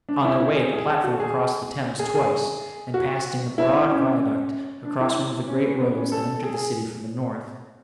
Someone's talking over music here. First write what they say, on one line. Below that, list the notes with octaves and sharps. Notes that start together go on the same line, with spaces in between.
On their way the platforms crossed the Thames twice, and passed in a broad viaduct across one of the great roads that entered the city from the North.
D4
E4
E4
G#4
G#4
A4
F#4
G#4
G#4
G#4
F#4
E4
C#4
D4
E4
C#4
B3
B3
C#4
A4
G#4
G#4